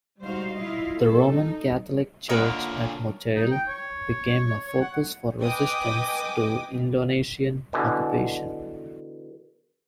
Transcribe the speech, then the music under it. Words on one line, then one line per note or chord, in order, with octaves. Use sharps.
The Roman Catholic Church at Motael became a focus for resistance to Indonesian occupation.
G3 G#3 D#4 F#4 C5 F5
E4 F4 D#5 F5
C4 A4
D#4
A#2 D3 A#4 C#5 D#5 F#5 B5
D#4
G5
C#5
C#5
F#5
B4 D#5 G5 G#5 D6 D#6
B2 D3 E3